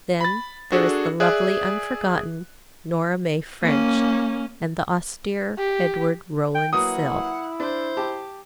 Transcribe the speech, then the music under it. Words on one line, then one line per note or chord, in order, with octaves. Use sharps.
Then there is the lovely unforgotten Nora May French and the austere Edward Rowland Sill.
B5 A6
D4 F#4 G#4 A4
G#4 D5 E5 F#6
A#3 C#4
G4
G5
F#3 A#3 E4 B4 F#5 D#6
D4 C5
G4 A5 D6